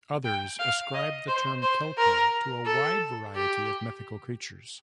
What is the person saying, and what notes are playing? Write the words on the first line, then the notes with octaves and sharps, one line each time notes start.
Others ascribe the term "kelpie" to a wide variety of mythical creatures.
G5
F5
D#5
C5
C5
A#4
A4
G4